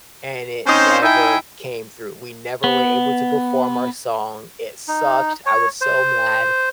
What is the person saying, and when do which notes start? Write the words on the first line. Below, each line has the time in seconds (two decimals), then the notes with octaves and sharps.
and it never came through, we never were able to perform our song, it sucked, I was so mad.
0.67 C4 C#4 D#4 C5
1.03 D#4 E4 E5 G5 G#5
2.64 B3
4.88 D#4
5.46 C#5
5.81 C5